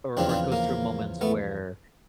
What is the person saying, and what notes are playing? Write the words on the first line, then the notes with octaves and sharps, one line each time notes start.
or or goes through moments where,
E2 C#3 F3 C4 D4
C4 D4
A#3
A3 B3